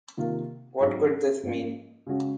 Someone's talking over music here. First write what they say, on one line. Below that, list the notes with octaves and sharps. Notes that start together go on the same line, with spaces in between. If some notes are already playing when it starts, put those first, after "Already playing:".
What could this mean?
C3 D#3 A#3 F4 A#4
G#2 F#3 C4 D#4
G#2 F3 A#3 C#4
C#3 G#3 C#4 F#4